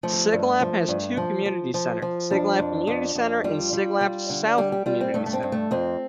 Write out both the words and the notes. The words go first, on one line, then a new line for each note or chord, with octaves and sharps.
Siglap has two community centres, Siglap Community Centre and Siglap South Community Centre.
F3 A3
G2
F3
G2
F3
F3
F3
F3
F2 D4
F2
F2
F2
G3 F4
G3
G3
D3
G3 G4
G4
G3 F4
C4
G2 A3
A3
C4
G2
A3
F2 C4